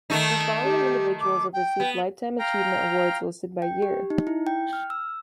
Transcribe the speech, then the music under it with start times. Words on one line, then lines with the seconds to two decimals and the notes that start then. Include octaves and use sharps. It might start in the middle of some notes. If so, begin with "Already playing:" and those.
The following individuals have received Lifetime Achievement Awards, listed by year.
0.10 D#3 A3 D#4
0.64 G4
1.21 D6
1.53 G5
1.80 B3
2.39 F5 G5 A#5
3.62 G5
3.82 G4
4.10 D#4
4.27 E4
4.47 G5
4.73 F6
4.90 E6